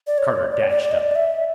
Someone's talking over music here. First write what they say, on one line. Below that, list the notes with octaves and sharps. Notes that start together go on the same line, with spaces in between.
Carter dashed up.
D5
C#5
D5
C#5
D5
D5
D#5
D5
E5